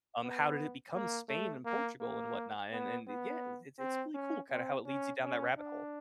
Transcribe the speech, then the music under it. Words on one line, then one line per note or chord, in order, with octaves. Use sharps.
Um, how did it become Spain, and Portugal, and whatnot? And and yeah, it it's it's really cool kinda how it leads you down that rabbit hole.
B3
A#3
A3
A#3
A#3
B3
B3
C4
C#4
C4
C#4
C#4
D4